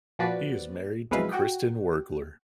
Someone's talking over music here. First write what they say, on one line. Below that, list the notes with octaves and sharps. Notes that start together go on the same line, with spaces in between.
He is married to Kristin Wurgler.
A#2 F3 F#4 B4 D5
B1 F2 G#3 E4 B4 F5
F#4 F#5 G5